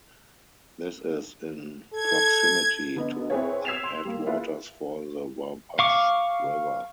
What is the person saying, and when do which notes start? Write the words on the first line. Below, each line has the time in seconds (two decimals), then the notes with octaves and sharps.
This is in proximity to the head waters for the Wabash River.
1.93 A4 G#6
2.96 D3 B3 D#5
3.30 C4 E4 G#4 B4 C#5
3.65 E6 G#6 B6 C7 E7 F7
3.84 C6
4.05 G3 A#3
4.26 A#3 E4 F4 G#4 B4
5.79 F5 C#6 D6